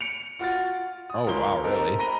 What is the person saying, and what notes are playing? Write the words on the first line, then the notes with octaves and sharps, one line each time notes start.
Oh, wow, really?
C#7 D7 F7
F4 F#4 F6 A6
D#6
C#2 A#4 C#5 C6 G7
C4 D#4 G4 A4 A#4
A#5 B5 A#6 D#7 G7